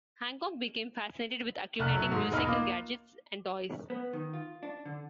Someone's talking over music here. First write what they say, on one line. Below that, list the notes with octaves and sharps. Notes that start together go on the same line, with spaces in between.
Hancock became fascinated with accumulating musical gadgets and toys.
F1 C2 A3 F6 F#6
F#3 A3
G#2 G#3
B1 E2 D#4 B5 F6
A#3 F4 D6
B3
D#3
F4
D4
D3